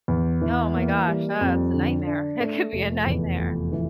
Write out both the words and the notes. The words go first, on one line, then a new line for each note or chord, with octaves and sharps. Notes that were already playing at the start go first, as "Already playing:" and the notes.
Oh my gosh, ugh, it's a nightmare, it could be a nightmare.
E2
E3
A#3
G3
F2
D3
D4
A3
F1
E2
F1
E3